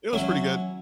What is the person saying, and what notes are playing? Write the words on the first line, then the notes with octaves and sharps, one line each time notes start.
it was pretty good.
F#3 C#4 E4